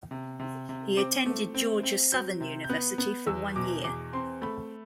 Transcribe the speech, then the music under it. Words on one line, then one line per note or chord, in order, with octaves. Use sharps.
He attended Georgia Southern University for one year.
C3
C3
C3
C4 D6
A3
C4
C4
F#3 G6
C3
G6
B3 F#6
B3
E2 E6
B2 D6
E2 D6
C4 C6
A3 B5